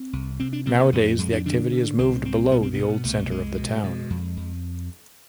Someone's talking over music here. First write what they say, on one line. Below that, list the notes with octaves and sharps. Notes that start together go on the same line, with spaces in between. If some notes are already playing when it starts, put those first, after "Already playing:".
Nowadays, the activity has moved below the old centre of the town.
Already playing: C4
C2
C3 C4
D4
C3 C4
B3
F2 B3
A3
F2 G#3
D4
D3 D4
D3
C2 C4
C2 C4
B2 B3
C4
B2 B3
C2 A3
C2 G#3
B2
B2
F2
F2